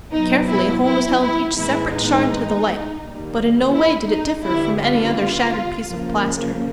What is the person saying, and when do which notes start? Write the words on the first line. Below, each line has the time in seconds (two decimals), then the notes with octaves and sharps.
Carefully Holmes held each separate shard to the light, but in no way did it differ from any other shattered piece of plaster.
0.12 B2 F#3 B3 D#4
0.48 E4
0.85 E4
1.20 E4
1.56 A2 E3 G#3 B3 E4
1.93 D#4
3.01 D#3 G3 A#3
3.72 E4
4.09 D#4
4.44 D3 G3 B3 E4
4.80 F4
5.88 C#3 F3 A#3